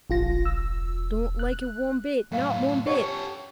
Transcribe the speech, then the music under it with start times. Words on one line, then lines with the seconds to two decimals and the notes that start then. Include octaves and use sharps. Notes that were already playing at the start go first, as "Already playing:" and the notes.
Don't like it one bit, not one bit!
0.10 E1 A#1 F4 A#6
0.45 E6
1.39 F#6
2.32 F#2 A2 F5 G5
2.87 C#4 G4 A4 C#5 F#5